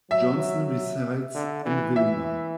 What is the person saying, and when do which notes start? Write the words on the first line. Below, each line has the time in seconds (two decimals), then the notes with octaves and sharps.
Johnson resides in Willmar.
0.10 F#3 E5
1.35 D3
1.66 E3
1.96 E3 E5